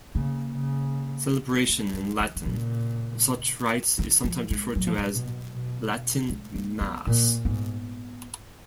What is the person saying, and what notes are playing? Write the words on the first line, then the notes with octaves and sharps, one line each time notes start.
Celebration in Latin of such rites is sometimes referred to as "Latin Mass".
C#3 A#3
C#3
A#3
F#3
D#3
D#3
A#2 C#3
D#3
F3
G#3
A#2 F#3
F3
F#3
B2
B2
G#3
A#3
B3
A#2 A#3
G#2 B3